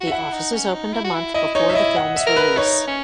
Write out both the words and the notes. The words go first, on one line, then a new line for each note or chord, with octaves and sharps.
The offices opened a month before the film's release.
F#4
E5
E4 F#5
D#4
C#4
D#4
E4
F#4
E4
E4 D#5
D#4 C#5
E5
E4 D#5
F#5
E5
A#4
B4
D#4 C#5
C#4